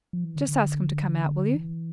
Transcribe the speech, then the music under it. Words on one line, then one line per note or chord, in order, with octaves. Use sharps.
"Just ask him to come out, will you?"
F3
E3
D3
D3
E3